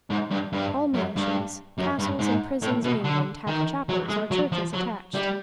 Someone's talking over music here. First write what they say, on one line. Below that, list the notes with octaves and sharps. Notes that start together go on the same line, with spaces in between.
All mansions, castles and prisons in England have chapels or churches attached.
G#2
G2
G2
F#2
G2
F#2
G2
G#2
A2
B2
D3
D#3
F#3
G#3
F#3
F3
F#3
G3